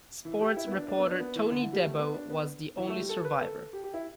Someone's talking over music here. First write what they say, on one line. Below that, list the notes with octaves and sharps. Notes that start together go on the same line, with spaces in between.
Sports reporter Tony Debo was the only survivor.
E3
G4
E4
B3
D4
D4
B3
D4
B3
E3
D3
E3
G3
A3
B3
D4
B3
E3
A3
G3
A4
B4
A4
G4
G4
E4